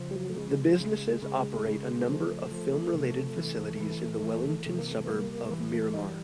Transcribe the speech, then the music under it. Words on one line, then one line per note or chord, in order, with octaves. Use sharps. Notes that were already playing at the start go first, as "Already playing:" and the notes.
The businesses operate a number of film-related facilities in the Wellington suburb of Miramar.
Already playing: C#3 F3
G3
F#3
A3
C#3 G#3
C#3
C#3
C#3
A#3
F3 A3
F3
C3
E3
E3
E3
C3 A3
A#3
A3
B3
G3 A#3
E3
A3
G3 D#4